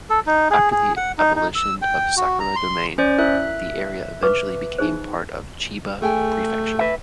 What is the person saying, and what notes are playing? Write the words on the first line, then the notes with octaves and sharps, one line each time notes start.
After the abolition of Sakura Domain, the area eventually became part of Chiba Prefecture.
A4
D#4
G#4
G#4
F#5
D#4
D#4
E6
G5
F#4
A#5
C6
C#4 C5 D5
E4 A#4 E5 F#6
B4 C#6 D6
D#4 G#4 C5
A3 G#4 G5 G#5
B4 E5